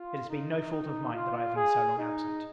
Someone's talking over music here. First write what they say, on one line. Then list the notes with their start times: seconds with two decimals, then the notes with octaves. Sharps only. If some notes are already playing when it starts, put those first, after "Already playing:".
It has been no fault of mine, that I have been so long absent.
Already playing: F4
0.29 D#4
0.71 D#4
1.13 F4
1.56 G#4
1.98 D#4